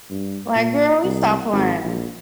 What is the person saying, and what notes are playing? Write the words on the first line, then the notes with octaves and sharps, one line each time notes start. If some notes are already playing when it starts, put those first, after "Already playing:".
Like, "Girl, you stop playing."
G2
A#2
C2
G#1
A#1